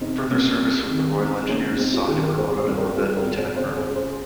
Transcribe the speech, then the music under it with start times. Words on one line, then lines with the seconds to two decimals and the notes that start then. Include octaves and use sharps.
Further service with the Royal Engineers saw him promoted a brevet Lieutenant-colonel.
0.01 C3 C4 D#4
0.30 C2 A#3 C#4
0.60 C2
0.90 D#3
1.19 C#2 C4
1.49 C3 A#3 C#4
1.78 C#2 C4 D#4
1.93 C#4 F4
2.08 D#3 F4 G#4
2.23 G4 A#4
2.38 G#1 G#4 C5
2.58 G#4 C5
2.67 G2
2.77 G4 A#4
2.97 G#1 F4 G#4
3.17 G4 A#4
3.27 G#1
3.37 G#4 C5
3.56 C#3 G#4 C5
3.76 G#4 C5
3.86 C#2
3.96 G#4 C5